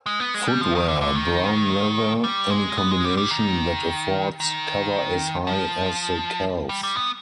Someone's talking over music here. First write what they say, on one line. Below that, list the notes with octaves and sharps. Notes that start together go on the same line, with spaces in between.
Footwear - Brown leather; any combination that affords cover as high as the calves.
G#3
B3
G#3
G3
F3
D#3
D3
D3
D#3
G3
G#3
B3
G#3
G3
G3
D#3
D#3
F3
G3
G3
B3